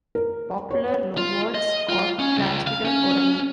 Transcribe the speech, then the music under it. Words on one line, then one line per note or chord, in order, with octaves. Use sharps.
Popular loanwords are transmitted orally.
A#4
C#5
F4
D#5
F4
C#4
C#2
F5
C#4